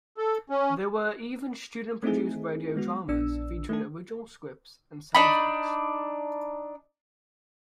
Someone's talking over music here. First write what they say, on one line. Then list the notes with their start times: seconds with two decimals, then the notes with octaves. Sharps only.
There were even student-produced radio dramas featuring original scripts and sound effects.
0.17 A4
0.49 C#4
2.03 A3 C4 D#4 E4 G#4
2.76 G#3 B3 F#4
3.08 A#1 B3 D4 E6
3.69 A3 D4 A4
5.15 D4 D#4 B5